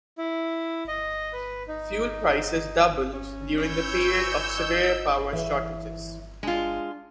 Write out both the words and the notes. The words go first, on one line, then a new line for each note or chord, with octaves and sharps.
Fuel prices doubled during the period of severe power shortages.
E4
D#5
B4
D#4
C#4
E3 C#5 E6 G6
D#4
E3 C#5 E5
G#3 D4 F4